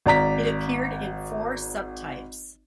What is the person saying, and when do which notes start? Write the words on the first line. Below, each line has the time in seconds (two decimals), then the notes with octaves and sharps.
It appeared in four sub-types.
0.06 G#1 D5 A#5 B6